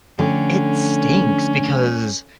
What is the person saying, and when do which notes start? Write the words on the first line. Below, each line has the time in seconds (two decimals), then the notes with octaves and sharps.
It stinks because
0.19 D3 F3 A3 C#4 G5